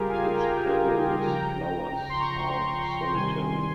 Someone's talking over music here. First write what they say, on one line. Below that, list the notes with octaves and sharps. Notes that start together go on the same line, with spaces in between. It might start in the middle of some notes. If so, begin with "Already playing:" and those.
Its pendulous flowers are solitary.
Already playing: C#3 G3 F4 G4 G#4 A#4
F5 G#5
G5 A#5
C#3 F3 G5 A#5
C6
A#5 C#6
C3 D#3 G3 G#5 C6